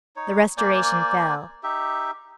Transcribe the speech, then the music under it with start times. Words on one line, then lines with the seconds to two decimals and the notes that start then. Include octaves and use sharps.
The Restoration fell.
0.16 D#4 C#5
0.57 A#3 C5 D5 G#5
1.63 D#4 G4 E5